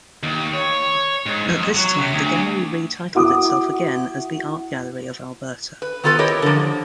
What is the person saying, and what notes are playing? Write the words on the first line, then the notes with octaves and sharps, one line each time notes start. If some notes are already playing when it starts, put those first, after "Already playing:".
At this time, the gallery re-titled itself again as the Art Gallery of Alberta.
D#2
C#5
G#2
F2
F#3
C3
D2
E4 F#4 D6 D#6
B4
D#3 B3 F4 A4 B4
E4 G4 A#4 C#5 D#5
D3 F3